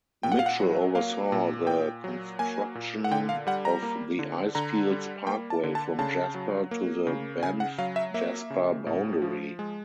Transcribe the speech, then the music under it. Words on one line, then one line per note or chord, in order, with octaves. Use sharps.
Mitchell oversaw the construction of the Icefields Parkway from Jasper to the Banff-Jasper boundary.
A#2 G5
F#5
F5
F#5
F#3
A#3 F5
A#2
A#2 G5
F#3
A#3 G#5
A#2
F#5
D3 G5
F5
G3 F#5
A#5
A#3
D3
D3 A#5
G3
A#3 G5
A5
D3
A5
C#3 A5
F#3
A#3
C#3
C#3 G#5
F#5
F#3 F5
E5
A#3 E5
C#3
A2
F3
G#3